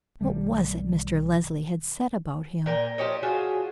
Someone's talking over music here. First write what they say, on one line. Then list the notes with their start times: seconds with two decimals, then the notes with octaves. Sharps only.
What was it Mr. Leslie had said about him?
0.21 B1 D#3 G3 A3
2.66 A#2 A#4 G5
2.98 F3 G4 C#5 D#5
3.23 A3 F4 F#4 G#4